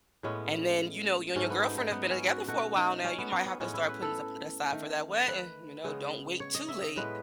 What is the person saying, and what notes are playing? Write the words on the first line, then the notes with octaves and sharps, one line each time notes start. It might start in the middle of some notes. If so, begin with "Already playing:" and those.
And then, you know, you and your girlfriend have been together for a while now. You might have to start putting something aside for that wedding, you know, don't wait too late.
A2 G#3 B3 C#4
G#2 F#3 A3 C#4
B3
D#4
D#4
B3
C#4
F#4
B2 A3 F#4
D#4
C#4
B3
B3
C#4
A2 G#3 B3 C#4
E4
B4
A4
D#3 A3
B4
C#3 G#3 B3
C#5
D#5
E5
D#5
A2 G#3 B3 B4